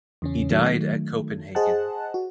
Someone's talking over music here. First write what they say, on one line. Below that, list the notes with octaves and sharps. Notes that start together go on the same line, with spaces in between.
He died at Copenhagen.
E2 C#3 C#4
D#3 F#3 A3
G#4 C5 D#5 F#5 A5 F#6
F#4